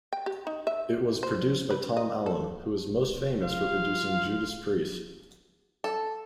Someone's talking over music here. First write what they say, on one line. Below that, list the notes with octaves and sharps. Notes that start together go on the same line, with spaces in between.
It was produced by Tom Allom, who is most famous for producing Judas Priest.
G5
G4
D#4
E5
C5
B4
D#5
A4
F4 F5
A4